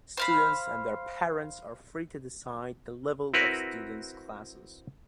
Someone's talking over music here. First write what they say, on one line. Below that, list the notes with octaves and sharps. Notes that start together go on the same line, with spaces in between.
Students and their parents are free to decide the level of the students classes.
C5 F5 B5
C4 E4 F#4 A#4 B4